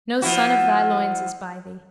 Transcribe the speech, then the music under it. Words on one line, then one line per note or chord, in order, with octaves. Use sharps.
No son of thy loins is by thee.
F3 E4 F#4